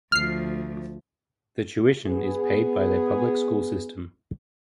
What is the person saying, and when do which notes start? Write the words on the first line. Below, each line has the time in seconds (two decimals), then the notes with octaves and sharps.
The tuition is paid by their public school system.
0.12 D2 F3 F6 C7
2.07 B3 G#4